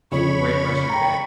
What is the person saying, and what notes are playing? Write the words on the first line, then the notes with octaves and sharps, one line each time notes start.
Have a great rest of your day.
F2 C#3 C#5 B5 C#6
G5 A#5